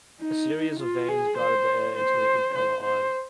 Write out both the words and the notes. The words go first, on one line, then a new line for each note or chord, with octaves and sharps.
A series of vanes guided the air into the impeller eyes.
D#4
F4
G#4
C5
C5
C5
C5